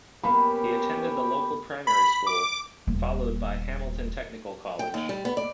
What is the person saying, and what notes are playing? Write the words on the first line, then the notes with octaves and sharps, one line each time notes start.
He attended the local primary school, followed by Hamilton Technical College.
A#3 B3 C#4 G4 B4 B5
B5
D6
D#1 A#3
G5
D#2
G3
B3
D5